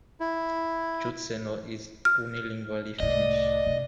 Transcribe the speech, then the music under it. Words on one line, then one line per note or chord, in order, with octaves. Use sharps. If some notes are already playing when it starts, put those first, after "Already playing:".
Joutseno is unilingually Finnish.
E4
F6
C2 A2 D5 D#5
F1 C#3